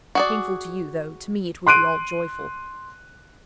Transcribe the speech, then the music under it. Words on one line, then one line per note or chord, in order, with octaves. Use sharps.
"Painful to you, though to me it would be all joyful."
F#4 G#4 D5
C6 F#6 D7 D#7